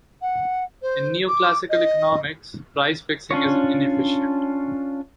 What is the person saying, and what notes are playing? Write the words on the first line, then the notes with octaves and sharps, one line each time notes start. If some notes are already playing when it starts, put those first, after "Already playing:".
In neo-classical economics, price fixing is inefficient.
F#5
C5
D6
D#5
C#4 D4 F4 C#5